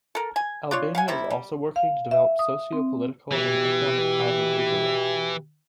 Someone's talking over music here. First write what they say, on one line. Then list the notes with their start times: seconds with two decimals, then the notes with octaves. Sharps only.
Albania is also working to develop socio-political and economic ties with Israel.
0.15 A4 A#4
0.36 G#5
0.71 D4 F4 C#5
0.95 F5 F#5 G#5
1.08 C3 G3 E4
1.30 G3
1.76 F5
2.11 E5
2.39 D#6
2.72 C4
3.32 B2 E3 G4